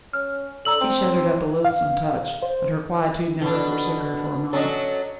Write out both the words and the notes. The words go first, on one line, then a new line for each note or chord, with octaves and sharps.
She shuddered at the loathsome touch, but her quietude never forsook her for a moment.
C#4 F6
D3 A#5 E6 F#7
C4
F5
C5
B2 D3 D4
F#3 C#4 D4 A4 D#5